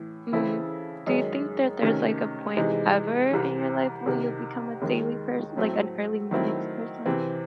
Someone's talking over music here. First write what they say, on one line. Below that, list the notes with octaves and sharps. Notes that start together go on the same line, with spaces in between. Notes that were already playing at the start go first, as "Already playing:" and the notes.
mhm do you think that there's, like, a point ever in your life where you'll become a daily pers like, an early mornings person?
Already playing: A2 E3
C#3 E3 C4 E4 A4
F#2 D#3 G#3 D#4 G#4
C3 D#3 A3 C#4
C3 E3 G#3 D#4
C2 C3 E3
C2 C3 D#3
D#2 D#3 G#3
A2 F#3 A3 C4
D#3 F#3 A3 C4 E4
C3 E3 C4